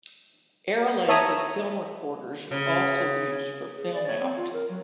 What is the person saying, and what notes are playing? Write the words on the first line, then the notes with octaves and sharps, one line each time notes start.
Arrilaser film recorders are also used for film-out.
C#5 E5 A5 A#5 D#6
C#3
G#4
D5
C#5
C4
F4
A#4
F#3